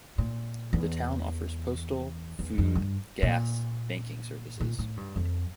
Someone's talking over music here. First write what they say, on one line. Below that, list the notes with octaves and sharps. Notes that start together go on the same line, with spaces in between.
The town offers postal, food, gas, banking services.
A#2
E2
E2
F2
G2
A#2
A#2
A2
G2
F2